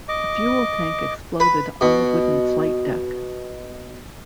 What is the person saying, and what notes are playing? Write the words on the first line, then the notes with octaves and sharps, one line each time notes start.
The fuel tank exploded on the wooden flight deck.
D#5 D6
B4
B2